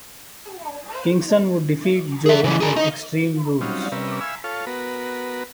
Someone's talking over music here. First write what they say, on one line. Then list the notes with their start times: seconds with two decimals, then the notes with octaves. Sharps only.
Kingston would defeat Joe at Extreme Rules.
2.26 G#4 E5
2.44 C#3 E3
2.60 G#4 A#4
2.76 D#4
3.61 F#3 G3 C4 C#4 D#4 F4
3.92 C3 G3 C#4 A#4 B4 E5
4.20 E5 F5 G#5 B5 E6
4.44 F4 A4 C#5 F5
4.67 B3 F#4 A#4 B4